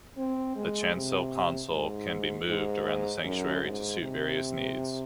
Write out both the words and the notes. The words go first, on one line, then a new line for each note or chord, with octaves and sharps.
The chancel console can be moved around the sanctuary to suit various needs.
C4
G#3
C3
G#2
G#2
F#2
G#2
C3